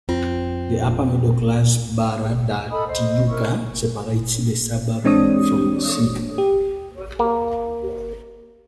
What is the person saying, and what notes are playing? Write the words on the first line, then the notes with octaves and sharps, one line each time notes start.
The upper middle class Barra da Tijuca separates the suburb from the sea.
F2 C4 F4
A4 D#5 B5 D#6
C5 D#5
E4 A#4 C#6
E3 G#3 C4 D4 C#5 D#6
G4
A#3